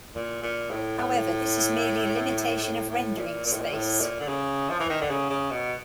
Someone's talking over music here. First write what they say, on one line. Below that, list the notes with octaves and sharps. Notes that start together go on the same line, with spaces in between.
However, this is merely a limitation of rendering space.
A#2
A#2
A2
A2
A2
A2
A#2
A#2
A2
A#2
A2
A#2
D3
C#3
F3
E3
D#3
D3
C#3
C#3
B2